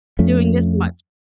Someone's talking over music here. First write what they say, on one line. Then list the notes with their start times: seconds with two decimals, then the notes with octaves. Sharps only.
doing this much.
0.19 F2 F3 A3 C#4